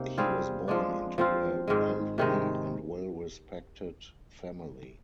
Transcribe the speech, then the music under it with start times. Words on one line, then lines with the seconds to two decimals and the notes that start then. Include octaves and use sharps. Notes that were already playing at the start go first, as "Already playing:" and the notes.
He was born into a wealthy and well respected family.
Already playing: C3 A#3 D#4
0.18 G3 C4 F4 G#4
0.68 F3 G#3 D4
1.18 F3 C4 F4
1.68 G#2 D#3 G#3
2.18 C3 D#3 G#3